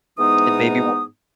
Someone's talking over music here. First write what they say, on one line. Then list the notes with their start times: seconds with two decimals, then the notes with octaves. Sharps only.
it made me wa
0.18 G#2 E3 G#3 B3 D#4 D#6